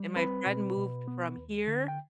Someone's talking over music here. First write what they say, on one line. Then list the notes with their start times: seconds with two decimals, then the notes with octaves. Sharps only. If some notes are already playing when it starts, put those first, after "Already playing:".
and my friend moved from here
Already playing: G3
0.16 C4 B4 B5
0.46 B2
0.77 B2
1.08 B3
1.37 D#2
1.67 D3
1.88 G5